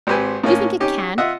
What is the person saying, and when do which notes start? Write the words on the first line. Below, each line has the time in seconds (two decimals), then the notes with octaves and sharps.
Do you think it can?
0.07 G#1 C4 G4 B4 G#5
0.44 A2 A#3 C#4
0.80 C#4 D#4 G4
1.18 F4 D#5 E5 F#5